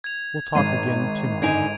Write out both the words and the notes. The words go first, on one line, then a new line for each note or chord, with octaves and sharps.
"We'll talk again to-morrow."
G#6 F7
G#1 G#6 C7 D#7
D3 D#4 G#5 G#6 D7 F7